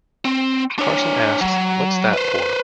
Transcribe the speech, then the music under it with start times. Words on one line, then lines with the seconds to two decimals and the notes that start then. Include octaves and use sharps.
Carson asks What's that for?
0.25 C4
0.79 D4 C#5
1.41 F#3
2.14 B4 C5